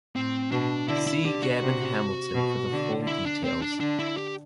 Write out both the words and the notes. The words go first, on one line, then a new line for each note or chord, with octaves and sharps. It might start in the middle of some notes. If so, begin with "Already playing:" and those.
See Gavin Hamilton for the full details.
A2 C4
B2 D4
D3 E4
E4
D3 G4
F#4
C3
B2
D3
E4
D4
C4
D4
D3 D4
E4
G4